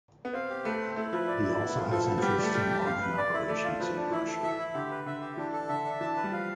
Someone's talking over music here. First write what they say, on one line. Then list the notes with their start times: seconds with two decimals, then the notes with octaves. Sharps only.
He also has interests in logging operations in Russia.
0.25 B3
0.34 C4 F5
0.50 G4
0.64 A3 B4
0.81 C4
0.96 A3 E4
1.13 F3 B4
1.28 D5
1.44 E4
1.59 B3
1.75 F4
1.91 F3 A4
2.07 B3
2.18 F3
2.22 G3 G4
2.39 A3 D5
2.54 G3 G5
2.70 G4
2.86 F5
3.01 B4
3.18 D5
3.33 E4
3.49 A3 D5
3.64 F4
3.80 F3 B4
3.96 D4
4.11 E3 E4
4.28 A4
4.43 E3 E5
4.58 E4
4.74 D3 G4
4.91 B4
5.06 D3 E5
5.21 G4
5.37 E3 D4
5.53 A4
5.69 D3 E5
5.85 D4
6.00 E3 A5
6.16 B4
6.24 G3
6.32 F3 F5